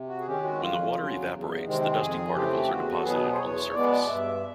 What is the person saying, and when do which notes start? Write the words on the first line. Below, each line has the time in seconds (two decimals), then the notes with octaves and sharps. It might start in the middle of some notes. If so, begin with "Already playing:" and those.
When the water evaporates, the dusty particles are deposited on the surface.
Already playing: C3
0.08 F#4
0.20 G#4
0.26 D#3 G#3 C#4 G4
0.44 F#4
0.60 F2 F4
0.95 C#3 F#3
1.30 E2
1.65 C3 D#3 G#3 C4
1.99 F2 G#4
2.34 C#3 E3 A3 C4 G4
2.68 E2 F#4
2.93 A4
3.03 B2 F#3 B3 G#4
3.33 C5
3.38 E2 C#5
3.73 B2 G#3 B3 D5
4.07 G2 E5